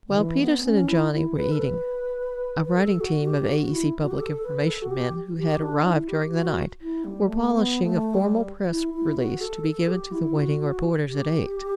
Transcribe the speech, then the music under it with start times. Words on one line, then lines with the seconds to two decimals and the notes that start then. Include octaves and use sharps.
While Peterson and Johnny were eating, a writing team of AEC public information men who had arrived during the night, were polishing a formal press release to be given to the waiting reporters at eight.
0.09 D3
0.17 E3
0.40 B3
0.57 B3
0.63 C#4
0.88 E4
1.11 E4
1.36 B4
1.52 A4
1.59 B4
2.65 B4
2.77 A4
3.01 F#4
3.25 G4
3.40 G4
3.48 F#4
3.73 E4
4.04 F#4
4.11 G4
4.20 A4
4.43 B4
4.67 A4
4.82 F#4
4.91 G4
5.38 G4
5.62 D4
5.86 E4
6.09 G4
6.33 F#4
6.81 E4
7.05 G3
7.27 A3
7.52 B3
7.83 A3
8.14 G3
8.70 E4
8.94 E4
9.18 F#4
9.41 A4
9.65 A4
9.88 G4
10.12 E4
10.36 F#4
10.60 F#4
11.07 G4